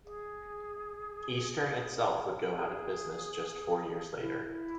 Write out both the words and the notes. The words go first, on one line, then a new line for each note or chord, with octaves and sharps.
Eastern itself would go out of business just four years later.
G#4
G#4
E4